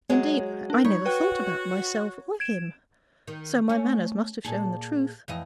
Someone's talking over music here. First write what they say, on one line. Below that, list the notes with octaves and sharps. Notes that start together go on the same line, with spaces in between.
Indeed, I never thought about myself or him, so my manners must have shown the truth.
F#3 G#3 C#5
D4 A#4
G3 D#4 C#5
F#4 B4 G5
G#6 D7 E7
D#3
A3 C#4
A#2 G#4 A4
F2 E3 D#5